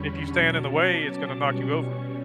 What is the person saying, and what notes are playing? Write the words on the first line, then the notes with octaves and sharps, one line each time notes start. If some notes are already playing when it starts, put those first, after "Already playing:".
if you stand in the way, it's gonna knock you over.
Already playing: E2 D3 G3 C#4 B5 C#6
B2 F#3 C#4 A5
D6
B2 G3 C#4 C#6